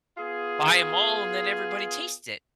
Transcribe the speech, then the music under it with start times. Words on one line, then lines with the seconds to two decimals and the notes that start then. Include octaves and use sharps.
buy 'em all and then everybody taste it.
0.18 B3 F4 G#4